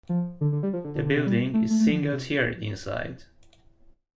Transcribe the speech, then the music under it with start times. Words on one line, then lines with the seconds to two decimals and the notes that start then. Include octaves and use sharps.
The building is single-tiered inside.
0.09 F3
0.41 D3
0.52 D3
0.63 G3
0.73 F3
0.85 D3
0.95 D3
1.05 D3
1.16 C3
1.26 G3
1.54 A3
1.70 A3
1.80 A3
1.91 F3
2.02 D3
2.12 C3